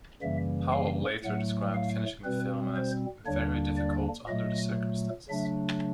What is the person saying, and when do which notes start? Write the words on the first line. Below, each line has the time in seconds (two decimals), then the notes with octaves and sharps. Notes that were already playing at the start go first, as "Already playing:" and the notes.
Powell later described finishing the film as "very difficult under the circumstances".
0.22 F#2 C#3 E3 G3 A#3 E5
0.72 F5
1.23 A2 F#3 A3 F#5
1.74 F5
2.24 B2 G3 C4 B4
2.76 C5
3.26 D#2 D3 G3 A#3 D4 C#5
3.78 D5
4.27 A#2 F#3 A3 D#5
5.29 C#3 F#3 A3 D4 E5